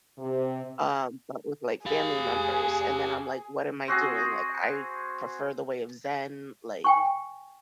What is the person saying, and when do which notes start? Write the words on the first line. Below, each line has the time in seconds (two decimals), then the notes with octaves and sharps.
um, but with, like, family members, and then I'm, like, what am I doing? Like, I prefer the way of Zen, like,
0.18 C3
1.86 G4 G#4 F5
3.88 C4 F#4 G#4
6.84 G5 G#5 C#6